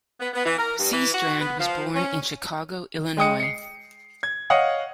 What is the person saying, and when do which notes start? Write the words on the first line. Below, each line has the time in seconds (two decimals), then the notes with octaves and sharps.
Seastrand was born in Chicago, Illinois.
0.20 B3
0.34 B3
0.46 E3
0.58 A#4
0.79 G2
0.93 E3
1.13 F#4
1.39 B3
1.59 F3
1.95 C#4
3.17 G#3 G5 D#6 C#7
3.40 C7 C#7
4.23 G#6
4.50 C#5 D#5 F5 F#5 D#6